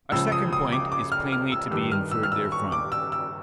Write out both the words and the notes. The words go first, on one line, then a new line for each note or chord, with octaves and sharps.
Our second point is plainly to be inferred therefrom.
C#2 C#3 F3 E6
D#6
D#6
D6
D6
F6
F6
E6
G2 D#3 G3 E6
F6
E6
F6
E6
C#6
D6
E6
E6